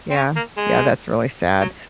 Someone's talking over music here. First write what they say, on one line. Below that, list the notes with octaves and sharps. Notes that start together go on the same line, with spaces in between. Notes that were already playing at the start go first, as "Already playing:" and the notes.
Yeah. Yeah, that's really sad,
C4
C#4
A#3
G#3
F#3